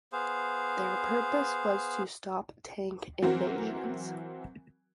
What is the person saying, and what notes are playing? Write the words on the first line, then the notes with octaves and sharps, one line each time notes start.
Their purpose was to stop tank invasions.
B3 G#4 C5 F5
E3 F#3 C4 F#4 A#4